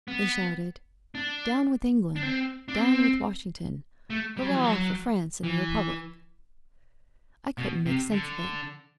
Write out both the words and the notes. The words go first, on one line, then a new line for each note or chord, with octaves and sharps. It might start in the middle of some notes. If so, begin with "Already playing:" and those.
They shouted, "Down with England!"--"Down with Washington!"--"Hurrah for France and the Republic!" I couldn't make sense of it.
B3
D4
D4
C4
D4
C4
A3
G3
F#3
E3
F#3
E3
B2
C3
D3